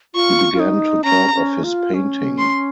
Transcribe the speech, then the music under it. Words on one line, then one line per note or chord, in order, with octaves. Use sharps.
He began to talk of his painting.
F4 C#6
F4
D#4
C#4 A#5
C#4
F4
C#4
C6